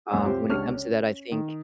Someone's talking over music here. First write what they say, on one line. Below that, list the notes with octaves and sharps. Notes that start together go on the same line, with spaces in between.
um, when it comes to that, I think
C#2 F#2 A#3 C#5 G#5 E6
C3 F4 G4 C5
C#2 D4 G4 C#5 F6
C#4
D#3